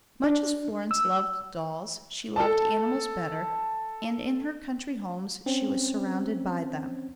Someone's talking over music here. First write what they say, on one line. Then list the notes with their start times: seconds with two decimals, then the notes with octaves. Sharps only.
Much as Florence loved dolls, she loved animals better, and in her country homes she was surrounded by them.
0.24 D4
0.91 E6
2.36 A4 A5
5.46 C4 C#4